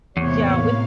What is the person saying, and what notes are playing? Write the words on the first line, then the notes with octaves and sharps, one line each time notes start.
yeah, with
E2 A2 C3 A#3 B3 C#5 F5